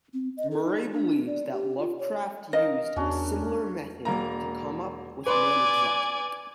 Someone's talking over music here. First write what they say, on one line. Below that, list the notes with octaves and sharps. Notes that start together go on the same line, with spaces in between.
Murray believes that Lovecraft used a similar method to come up with "Manuxet".
C4
D#5
A4
D#4
D4
D5
G4
F4
C#5
A#4 D#5 F5
E2 C#4 D4 F#4
E1 A#3 A#5
B4 D5 G#5 B5 C6